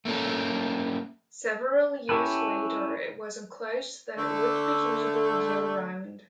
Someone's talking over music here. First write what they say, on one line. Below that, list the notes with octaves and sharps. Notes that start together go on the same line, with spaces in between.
Several years later it was enclosed so that it would be usable year round.
A3 A#3 C#4 A4
C#4 E4 G4 A4 B4
D3 A3